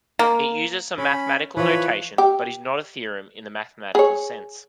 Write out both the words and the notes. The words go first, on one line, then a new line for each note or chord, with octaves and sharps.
It uses some mathematical notation but is not a theorem in the mathematical sense.
A#3
C#4 C#5 B5
E3 F3 B4 C#5 B5
G4
G#4 C#5